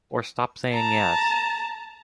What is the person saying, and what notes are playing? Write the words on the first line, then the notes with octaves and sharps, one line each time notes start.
Or stop saying yes.
A5 A#5